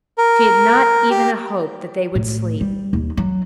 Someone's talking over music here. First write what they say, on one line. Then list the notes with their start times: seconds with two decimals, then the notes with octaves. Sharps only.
She had not even a hope that they would sleep.
0.18 A#4
1.10 G4
2.15 A2
2.61 G3
2.93 D#2
3.17 F#3